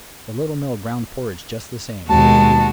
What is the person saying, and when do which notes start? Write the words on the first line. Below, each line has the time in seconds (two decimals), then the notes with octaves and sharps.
The Little Mill ground porridge just the same.
2.09 D#2 B2 G#3 F#4 A5